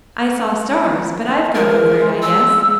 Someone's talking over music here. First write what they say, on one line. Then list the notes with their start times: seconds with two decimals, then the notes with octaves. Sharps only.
I saw stars, but I've got over it, I guess.
1.25 D4
1.55 G#3 A#4
2.22 E6